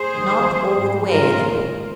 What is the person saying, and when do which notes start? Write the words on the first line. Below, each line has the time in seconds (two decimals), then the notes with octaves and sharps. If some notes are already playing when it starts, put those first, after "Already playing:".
Not all the way, though.
Already playing: G#4 C5
0.14 D#2 D#3
0.46 F2 F3
0.78 G#2 F3
1.09 G#2 D#3 F4 A#4